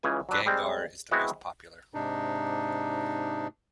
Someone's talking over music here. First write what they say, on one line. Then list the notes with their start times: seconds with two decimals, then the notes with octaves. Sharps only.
Gangaur is the most popular.
0.03 C#2 C#3 E3 G#5
0.29 F#3 D4 B4
0.46 G3 G#3 C4
1.11 G#3 B3 C4 E4 F#4
1.94 G#2 C3 D4 D#4